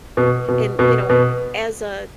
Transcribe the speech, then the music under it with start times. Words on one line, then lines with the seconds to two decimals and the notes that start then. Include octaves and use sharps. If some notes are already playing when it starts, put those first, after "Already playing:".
and, you know, as, uh,
0.17 B2
0.48 B2
0.79 B2
1.09 B2